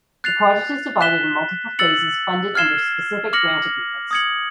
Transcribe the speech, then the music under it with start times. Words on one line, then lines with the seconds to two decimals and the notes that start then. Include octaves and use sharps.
The project is divided in multiple phases funded under Specific Grant Agreements.
0.24 F#6 A6 C7 F7
1.01 F#6 B6 E7 G7
1.79 E6 A6 C#7 F#7
2.55 F6 G#6 C7 E7 G7
3.33 D6 F6 A#6 C#7 F#7
4.11 D#6 G#6 C#7 F#7